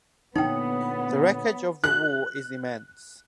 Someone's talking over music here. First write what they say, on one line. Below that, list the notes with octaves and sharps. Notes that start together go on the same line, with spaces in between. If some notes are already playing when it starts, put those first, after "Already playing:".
The wreckage of the war is immense.
A#2 D3 B3 D#4 C#5 F#5 G5 D#6
F#6